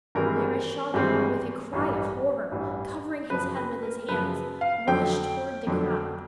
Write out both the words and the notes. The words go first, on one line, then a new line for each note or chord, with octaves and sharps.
Vereshchagin with a cry of horror, covering his head with his hands, rushed toward the crowd.
G#1 G2 E3 G#3 C4 A#4
G#1 G2 E3 G#3 C4
A1 G2 E3
A1 G2 E3
F#2 C#3 F3 B4
B4
A#4
F#2 C#3 F3 B4
F5
F2 D3 F#3 G5
F2 D3 F#3